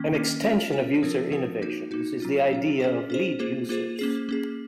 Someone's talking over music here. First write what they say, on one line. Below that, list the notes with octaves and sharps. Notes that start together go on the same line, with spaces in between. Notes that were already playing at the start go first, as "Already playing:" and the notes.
An extension of user innovations is the idea of lead users.
Already playing: D#3 A#3 C#4
D#3 A#3 C#4
C#4 F4 A#4 C#5
C#4 F4 A#4 C#5
F3 C4 F4 A#4
F3 C4 F4 A#4
A#3 D#4 F#4
A#3 D#4 F#4
F#3 C#4 F4
F#3 C#4 F4
C#4 G#4 C5
C#4 G#4 C5
A#3 F4 G#4 C5
A#3 F4 G#4 C5
A#3 C#4 G#4
A#3 C#4 G#4